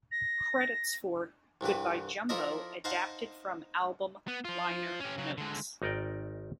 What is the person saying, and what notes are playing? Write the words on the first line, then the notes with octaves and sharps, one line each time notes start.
Credits for "Goodbye Jumbo" adapted from album liner notes.
A#6
C2 G2 E3 B4
F3 E4 A4 A#4 D5 D#5
D#4 C5 F5 F#5 A5 C#6
B3
F3 F4
C#4 G4
C#3 F#3
D3 G#3
G#1 D#4 A#4 D5 G5